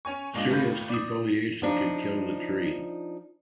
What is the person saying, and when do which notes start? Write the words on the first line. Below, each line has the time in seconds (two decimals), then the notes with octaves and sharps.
Serious defoliation can kill the tree.
0.05 C#4 C#5 G#5 C#6
0.34 G1 A#2 G#3 D4 F4 D#5
0.49 G#1 D#2 A3 F4 B4 G6
0.89 D5 D#6
1.62 F3 D4 D#4